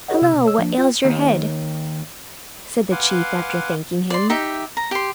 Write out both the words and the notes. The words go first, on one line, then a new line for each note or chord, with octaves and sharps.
"Hello, what ails your head?" said the Chief, after thanking him.
F#4 G#4 A#4 C#5 D#5 F#5
C3 E6
B2
C#5 E6
F3 A#3 D4
F4 G5
D#2
B4 F5 F#5 G#5 C6 D6
D5 C6
D#4 G4 E5
A#5
G4 C6